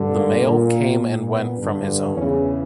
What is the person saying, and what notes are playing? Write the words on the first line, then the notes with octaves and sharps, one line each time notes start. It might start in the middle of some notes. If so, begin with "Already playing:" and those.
The mail came and went from his home.
Already playing: G2 D3
A#3
A#2 A#3
A#3
A#2
B3
G2 D3
E2 C#3 E3 C#4